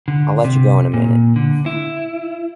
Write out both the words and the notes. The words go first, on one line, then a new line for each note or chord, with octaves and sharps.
I'll let you go in a minute.
D3
C3
A#2
D3
E4